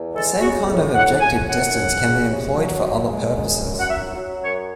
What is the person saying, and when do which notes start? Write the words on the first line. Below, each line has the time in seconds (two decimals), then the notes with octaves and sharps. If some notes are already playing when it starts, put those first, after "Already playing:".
The same kind of objective distance can be employed for other purposes.
Already playing: E2
0.13 G#3 A4
0.40 C#3 F#4
0.67 A2
0.94 A2 F#5
1.20 A2 G#5
1.47 F#2 F#5
1.74 C#3
2.01 C#3
2.27 C3
2.54 F#3
2.81 F#3
3.08 G#3
3.34 F#2
3.61 F#2
3.79 F#5
3.88 F#3 E5
4.15 F#3
4.41 F#2 C#5